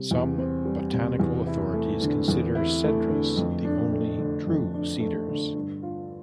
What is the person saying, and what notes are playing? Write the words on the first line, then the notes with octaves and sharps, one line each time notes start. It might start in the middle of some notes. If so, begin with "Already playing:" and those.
Some botanical authorities consider "Cedrus" the only "true cedars".
Already playing: C3 G3
E2
C4
G3
C3
E2
E4
A3
D3
E2
E4
A3
D3
F2
D4
A3
D3
F2
D4
A3
D3
G2
F4